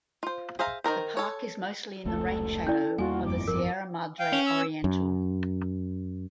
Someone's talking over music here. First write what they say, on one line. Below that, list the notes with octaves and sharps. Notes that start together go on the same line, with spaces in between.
The park is mostly in the rain shadow of the Sierra Madre Oriental.
F4 C5
G#4 C5 E5 F5 A#5
D#3 E3 A#4 C5
A4 C#5
F1 C#2 A3 A4
C#4 E4 D5
E2 G3 A#3 F4 F#4 G#5
G1 F2 D6
A1 F3 A#4
F5 G5
C#4
E6
F#2